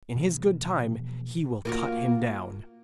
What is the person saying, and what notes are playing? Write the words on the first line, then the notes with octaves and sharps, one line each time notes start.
In His good time He will cut him down.'
B2 E3 F3 A#3
A#3 F4 F#4